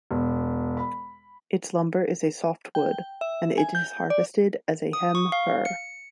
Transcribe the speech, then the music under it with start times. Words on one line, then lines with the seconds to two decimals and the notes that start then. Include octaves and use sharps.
Its lumber is a softwood, and it is harvested as a hem fir.
0.11 E1
0.77 B5
2.75 G5
3.21 E5
3.58 G#5
3.75 G6
4.10 D5
4.93 D#6
5.15 C#6
5.32 F5
5.65 C#7